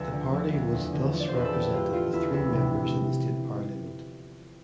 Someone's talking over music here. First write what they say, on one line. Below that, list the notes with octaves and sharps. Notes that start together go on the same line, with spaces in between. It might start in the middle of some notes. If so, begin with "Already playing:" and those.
The party was thus represented with three members in the state parliament.
Already playing: D2 F3 A4 B4
D3
F3
D2
E2
D3
F3
D5
C5
E2 B4
A4
E2 G4
D3 F4
F3 F4
E2 E4
D2 E4
C3